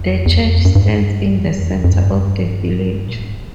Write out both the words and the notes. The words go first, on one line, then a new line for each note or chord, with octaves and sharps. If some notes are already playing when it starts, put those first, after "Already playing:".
The church stands in the center of the village.
Already playing: F2
E2
F2
F#2
G2
G#2
G2
F2
F#2
F2
E2
F2
F2
G2
F#2
G#2
F#2
G2
A#2
A2
G#2